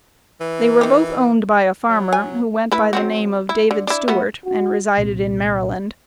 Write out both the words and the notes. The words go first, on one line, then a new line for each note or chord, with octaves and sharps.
They were both owned by a farmer, who went by the name of David Stewart, and resided in Maryland.
E3
D#3 G4
F#3
G#5
A3 E4 B4
F#3 C4 F#4
E4
D3
D4 E4
A3 B3 F#4
F#4
C2 A#2 G3 C4